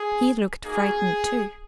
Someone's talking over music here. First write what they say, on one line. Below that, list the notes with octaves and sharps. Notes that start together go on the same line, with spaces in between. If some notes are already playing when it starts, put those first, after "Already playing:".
"He looked frightened too."
Already playing: G#4
A#3 D#4 F#4 G#4